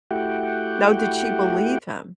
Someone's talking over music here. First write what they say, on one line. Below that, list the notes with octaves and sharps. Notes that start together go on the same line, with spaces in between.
No. Did she believe him?
A3 E4 F#4 G4 F#5 G5